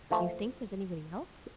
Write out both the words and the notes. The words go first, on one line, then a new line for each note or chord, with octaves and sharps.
'Do you think there's any one else?'
E3 F3 A3